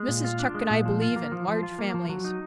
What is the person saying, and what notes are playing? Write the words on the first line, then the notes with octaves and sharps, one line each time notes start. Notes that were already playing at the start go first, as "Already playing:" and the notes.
"Mrs. Chuck and I believe in large families."
Already playing: G#3
A#2
F4
D4
G#3
A#2
F3
F4
A#3
F3
F3
F4
A#3
F3
F#3
D#4